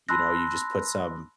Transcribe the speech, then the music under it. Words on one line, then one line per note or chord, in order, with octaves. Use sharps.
you know, you just put some
A5 B5 C6 E6 F#6 A#6